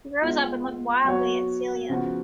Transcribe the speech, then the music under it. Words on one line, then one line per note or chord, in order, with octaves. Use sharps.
He rose up and looked wildly at Celia.
G#3 B3 F4
F#3 B3 F#4 C#5
C#3 F3 B3 F#4